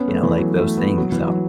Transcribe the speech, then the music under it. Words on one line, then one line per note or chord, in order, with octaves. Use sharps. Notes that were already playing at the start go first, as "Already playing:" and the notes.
you know, like those things, um
Already playing: B3 C#4
A3
E3
F#3
A3
B3
F#3
E3
F#3